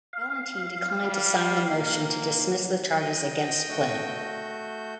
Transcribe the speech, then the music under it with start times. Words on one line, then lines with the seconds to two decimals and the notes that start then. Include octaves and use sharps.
Ballantine declined to sign the motion to dismiss the charges against Flynn.
0.13 F5
1.00 G3
1.67 A#3
2.97 D#5 G5
3.69 A3 F#4 G6